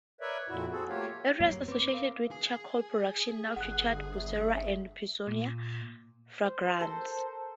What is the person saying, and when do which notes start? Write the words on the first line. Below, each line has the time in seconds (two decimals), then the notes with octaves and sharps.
Areas associated with charcoal production now feature "Bursera" and "Pisonia fragrans".
0.21 A#4 B4 C#5 D5 E5
0.49 F2 A#2 E4 F#4
0.72 C4 F#4 G#4 A4
0.89 A3 A#3 F4 G4 C#5 F5
1.40 G2 F#3 A#3 C#5 C7
1.68 C4 B4 D6
1.91 A#4 F5
2.31 G#4
3.56 G1 F#5 F#6
4.15 E5
5.27 A#2
6.45 C5
6.81 A4 A#4 C6